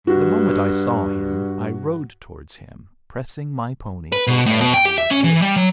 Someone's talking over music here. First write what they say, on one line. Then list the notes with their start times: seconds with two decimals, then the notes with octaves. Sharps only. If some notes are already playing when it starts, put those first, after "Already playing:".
The moment I saw him, I rode towards him, pressing my pony for all he was worth.
0.07 G2 F#4
4.12 B4
4.27 B2
4.46 A2
4.61 B2
4.74 G5
4.85 G4
4.98 E5
5.11 C#4
5.24 E3
5.42 G3
5.57 F#3